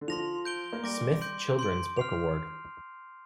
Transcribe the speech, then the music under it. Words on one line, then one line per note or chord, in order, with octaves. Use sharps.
Smith Children's Book Award.
D3
F3 C6 A#6 F7
G6 D7 G7
A#3
G3 D6 A#6 D7
C6 G6 D7
C6 G6 D7
F6 C7 F7